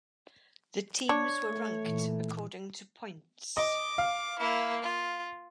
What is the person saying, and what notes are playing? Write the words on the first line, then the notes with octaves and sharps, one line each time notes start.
The teams were ranked according to points.
D4 C#5
A3
A#2 E3
D#5 D6
F5
A#3 E4
F4